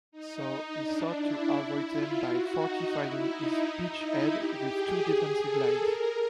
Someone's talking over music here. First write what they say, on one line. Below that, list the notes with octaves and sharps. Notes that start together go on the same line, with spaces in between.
So, he sought to avoid them by fortifying his beachhead with two defensive lines.
D#4
D#4
D4
E4
E4
F4
F#4
D#4
E4
D#4
D#4
E4
G4
G#4
G#4
A4
A#4